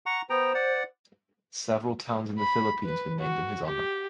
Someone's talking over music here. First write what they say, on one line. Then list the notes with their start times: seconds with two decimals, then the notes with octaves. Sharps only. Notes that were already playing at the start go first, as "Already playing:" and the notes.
Several towns in the Philippines were named in his honor.
0.06 F#5 A#5 C#6
0.30 B3 C5 G5 A#5
0.55 D5 F#5
2.39 B5
2.85 B4
3.20 F#4
3.66 G4